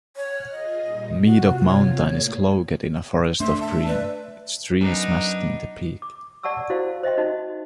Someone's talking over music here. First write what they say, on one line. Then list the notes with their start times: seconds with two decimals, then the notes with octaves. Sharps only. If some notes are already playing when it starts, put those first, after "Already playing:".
Medoc Mountain is cloaked in a forest of green, its trees masking the peak.
0.17 C#5 F#5 F6
0.51 F4 G#4 D#5
0.82 A#2 G3 D#4
1.24 C3 F4 F#4
1.67 C#5
1.97 A2 A#3 G#4
3.40 A3 D4 E5 C6
3.60 E5 A5
3.87 B4 D5
4.81 F#2 B3 D4 D#4
6.02 D6
6.43 D5 F#5 A5 C#6 E6
6.70 E4 F#4 C5 F5
7.03 C5 D#5 E5 G5 C6
7.18 D#4 F#4 D#5